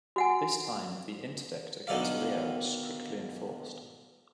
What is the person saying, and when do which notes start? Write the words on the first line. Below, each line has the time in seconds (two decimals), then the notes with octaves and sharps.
This time the interdict against Leo was strictly enforced.
0.16 F#4 F#5 G#5
1.87 B2 D3 D#3 A4 D5 F5